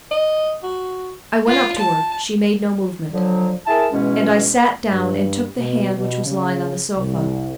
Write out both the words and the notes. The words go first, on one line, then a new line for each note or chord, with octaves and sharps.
I went up to her; she made no movement, and I sat down and took the hand which was lying on the sofa.
D#5
F#4
F4
A5
D3 F3 F#3
E4 G#4 A#4 A5
G#2 B2 E3 G#3 C#4
G2
B2
B2
C#3
C2